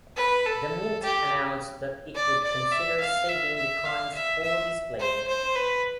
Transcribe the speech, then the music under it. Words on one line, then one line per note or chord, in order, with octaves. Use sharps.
The Mint announced that it would consider saving the coins for display.
B4
A4
G4
D5
D5
E5
F5
E5
E5
F5
E5
E5
C5
C5
B4